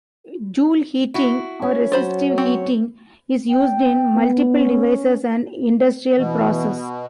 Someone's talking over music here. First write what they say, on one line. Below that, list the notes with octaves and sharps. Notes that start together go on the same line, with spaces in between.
Joule-heating or resistive-heating is used in multiple devices and industrial process.
E4 F#4
C#4
F#3 F4 C5 B5
C4 C#5
G5
B3
C#4
B2 E3